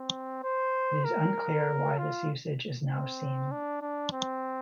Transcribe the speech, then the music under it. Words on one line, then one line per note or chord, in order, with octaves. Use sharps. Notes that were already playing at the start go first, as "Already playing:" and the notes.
It is unclear why this usage is now seen.
Already playing: C4
C5
A#4
F4
C4
D4
D4
C4